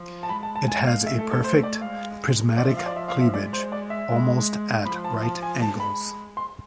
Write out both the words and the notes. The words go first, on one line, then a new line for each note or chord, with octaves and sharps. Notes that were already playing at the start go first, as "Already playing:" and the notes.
It has a perfect, prismatic cleavage, almost at right angles.
Already playing: F3
A5
G#3 B5
A5
A5
G#5
F5
A3 E5
A4
A4
C5
D5
G#3 F5
F3 D5
E5
F5
D5
E5
F5
E5
G#3 D5
C5
D5
E5
G#3
F3 B5
A5
A5
G#5
G#3 A5
B5
C6